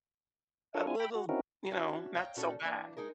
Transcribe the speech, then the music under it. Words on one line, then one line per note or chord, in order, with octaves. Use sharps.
a little, you know, not so bad.
D4 F4 A4 A#4 C#5
C4 D4 E4 F4 G#5
G5 B5
F#4
C4 C#4 D#4 E4 F#4 A#4
C#4 D4 F#4 C#5 E5
C#5 D#5 F5 G5 A5 A#5
A#2 C#4 D#4 F#4 A4
E3 A#3 D4
G#3 D#4 G#4 A#4